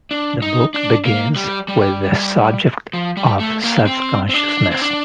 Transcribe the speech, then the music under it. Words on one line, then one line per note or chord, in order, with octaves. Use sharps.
The book begins with the subject of self-consciousness.
D4
D#4
D4
A#3
G3
G3
F3
G3
A3
A#3
C4
C4
D4
C4
D4